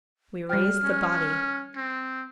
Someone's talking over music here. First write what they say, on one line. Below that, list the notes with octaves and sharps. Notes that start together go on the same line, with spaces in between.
We raised the body.
G3 G5 F6
C#4
C4